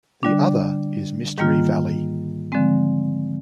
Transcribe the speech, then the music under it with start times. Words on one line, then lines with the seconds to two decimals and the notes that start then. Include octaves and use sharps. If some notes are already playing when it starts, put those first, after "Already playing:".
The other is Mystery Valley.
0.23 D3 G3 D4
1.38 G#2 D#3 G3 A#3 F4
2.52 D3 F3 G#3 C4